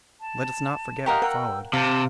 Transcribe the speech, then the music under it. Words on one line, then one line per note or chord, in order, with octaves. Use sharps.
Let us not forget what followed.
A5
G4 A#4 D#5 F5 F#5 C#6
A#4 F#5 G5 A#5 E6
C3 F5 A5